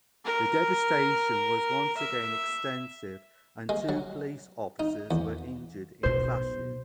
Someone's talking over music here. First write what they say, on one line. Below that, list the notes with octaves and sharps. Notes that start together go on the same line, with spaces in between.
The devastation was once again extensive and two police officers were injured in clashes.
A#4
E5
G#3
F#3
D#4
E2
B1 B2 C5